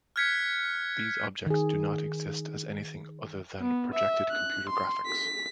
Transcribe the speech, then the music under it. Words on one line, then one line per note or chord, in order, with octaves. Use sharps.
These objects do not exist as anything other than projected computer graphics.
F6 F#6 G#6 B6 C#7
D#3 G#4
B3
E5
F#6
C6
B6